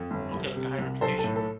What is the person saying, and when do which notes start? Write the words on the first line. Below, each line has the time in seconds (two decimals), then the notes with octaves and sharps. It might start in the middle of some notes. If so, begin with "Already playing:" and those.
Okay, like, a high reputation?
Already playing: F2 A4
0.11 G1
0.34 C2
0.56 C3
0.79 C2
1.01 B1 A4 C5
1.19 A4
1.24 A2
1.36 A4